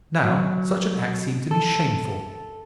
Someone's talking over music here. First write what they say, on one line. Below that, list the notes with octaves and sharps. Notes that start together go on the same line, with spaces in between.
Now, such an act seemed to me shameful.
F#3
A4